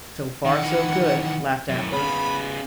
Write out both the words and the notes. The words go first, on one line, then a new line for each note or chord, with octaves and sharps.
"So far, so good," laughed Athos.
D#3 F#5
D#3 E3
F#2 A2
C#3 B3 B5